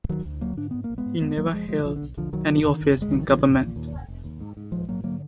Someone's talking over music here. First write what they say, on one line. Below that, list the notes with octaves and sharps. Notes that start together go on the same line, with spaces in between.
He never held any office in government.
D2 D#3 F#3
D2
D3 F#3 A#3
G#2 D4
G#2 B3
A#3
A#1
G#3 B3
G#2
F2 G#3 B3
F#1 F#3 A#3
F#1 F3 G#3
D3 F3 G#3
B1 D3 F3
D3
B1
B1 D3 F3
B1 D#3 F#3
F#1
D3
F#1
F#1 G#3
A#1 D#3 F#3
F#3
A#1 D3 F3
A#1
A#2
D#2
F1
F1
D#2
G#2
G#2
A#1 F3 G#3
G#2 F#3 A#3
D3 F#3 A#3